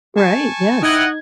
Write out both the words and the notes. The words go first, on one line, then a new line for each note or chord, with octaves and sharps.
Right, yes.
G#5 A5 C#6
D#4 E4 D#5 F#5 G5 F6 G#6